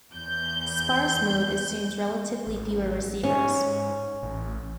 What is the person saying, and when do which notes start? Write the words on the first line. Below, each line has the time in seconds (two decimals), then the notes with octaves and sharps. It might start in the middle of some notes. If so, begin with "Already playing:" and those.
Sparse mode assumes relatively fewer receivers.
0.12 E2 G6
2.47 A1
3.23 G#2 C#4
4.23 A1